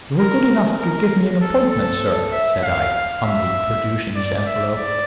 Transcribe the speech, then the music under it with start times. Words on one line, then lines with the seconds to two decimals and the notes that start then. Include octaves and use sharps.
"You were good enough to give me an appointment, sir," said I, humbly, producing his envelope.
0.20 A#4
0.80 A#4
1.41 A4
1.72 A4
2.32 E5
2.64 F5
3.24 E5
4.15 D5
4.46 E5
4.76 D5